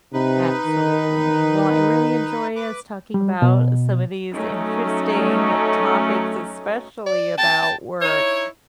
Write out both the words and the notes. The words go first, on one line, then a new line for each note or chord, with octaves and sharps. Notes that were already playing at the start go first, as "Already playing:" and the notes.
Absolutely. Well, I really enjoy us talking about some of these interesting topics, especially about work,
C3 D#4 B4
D#3
B4 D6
G3
B2
F#3 A3 C#4 D#4
D5
G5 A5
D#4 E4 C#5